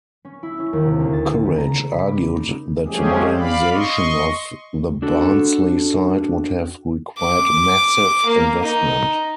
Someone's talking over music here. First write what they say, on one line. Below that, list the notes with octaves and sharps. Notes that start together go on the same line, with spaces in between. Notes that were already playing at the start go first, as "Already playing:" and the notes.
Courage argued that modernization of the Barnsley site would have required "massive" investment.
C#4
E4
C#4
D#2
C3
D2
A6
C#3
A#5
B5
D6
D#4
F3 G#3 A3 C#4 G4 G#4
D5 F5 B5
D#5 C6 C#6
D4 F#4 A4
D6
A#3
D#4